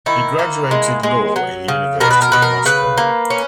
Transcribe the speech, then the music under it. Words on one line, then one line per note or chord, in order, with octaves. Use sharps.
He graduated law in university of Moscow.
D#3 E4
A#3
G#3
G#3
F#3
C#3
B2 A#4
B4
A#4
B2 B4
A#4
C#3 B4
A#3
C#4